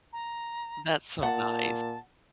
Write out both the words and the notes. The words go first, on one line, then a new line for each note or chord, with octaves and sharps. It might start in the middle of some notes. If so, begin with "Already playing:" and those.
That's so nice.
A#5
A#2 F#5 A5